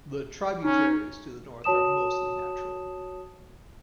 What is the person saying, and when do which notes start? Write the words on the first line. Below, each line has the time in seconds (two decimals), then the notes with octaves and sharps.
The tributaries to the north are mostly natural.
0.64 C#4 D#4
1.64 F#4 C#5 A5 D#6 E7